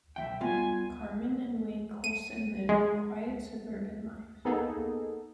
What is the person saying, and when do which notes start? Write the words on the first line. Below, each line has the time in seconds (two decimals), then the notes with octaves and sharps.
Carmen and Wayne Colson live a quiet, suburban life.
0.16 B1 F3 E5 G5
0.41 G3 B3 F4 G#5
2.04 D#7
2.69 G#3
4.45 A#3 B3 D#4 G#4 A4